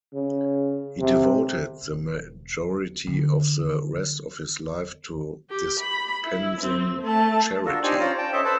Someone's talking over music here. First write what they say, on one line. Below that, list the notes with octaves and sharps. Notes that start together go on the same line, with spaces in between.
He devoted the majority of the rest of his life to dispensing charity.
C#3
C3
E1
D3
G4
B5
E4
C4
A3 A5
D4 F4 F#4 A4 A#4
D4 D#4 G4 C5 D5 G#5
C#4 F4 C5 D5 A#5
G5 A5
C#4 A4 C5 D#5 E5 A5
A4 B4 C5 A5